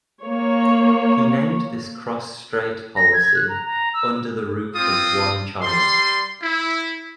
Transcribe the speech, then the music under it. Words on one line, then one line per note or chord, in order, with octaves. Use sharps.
He named this cross-strait policy "Under the Roof of One China".
A#3 C#5
A#6
G#6
F#6
A#5
A#5
E6
C4 F4 D#6
G3 C6
E4